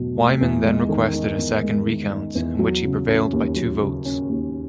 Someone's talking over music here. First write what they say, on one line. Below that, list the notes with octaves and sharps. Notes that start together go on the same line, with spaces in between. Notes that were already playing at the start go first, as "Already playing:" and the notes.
Wyman then requested a second recount, in which he prevailed by two votes.
Already playing: E2 B2 F#3 A3
A3
E2
G#3
D#3
D#4
E2
G#3
D#3
D#4
E2
F#3
C#3
C#4
D#2
F#3
C#3
C#4
D#2